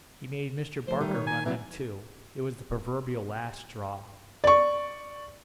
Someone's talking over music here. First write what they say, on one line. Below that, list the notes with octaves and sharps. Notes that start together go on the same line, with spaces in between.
He made Mr. Barker run them too--it was the proverbial last straw.
F3 A3 C5 C6
D#3 G3 A3 G4
B2 C#5
G#5 A#5
C3 E3 F#3 G3
D5 C#6